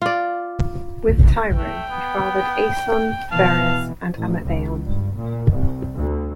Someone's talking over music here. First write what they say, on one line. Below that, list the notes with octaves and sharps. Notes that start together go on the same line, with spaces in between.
With Tyro, he fathered Aeson, Pheres, and Amythaon.
F4 D5
A3 G5
B3
B2 E3 B3 F5 A5
A1
C#2
G2
A#2
C2
D2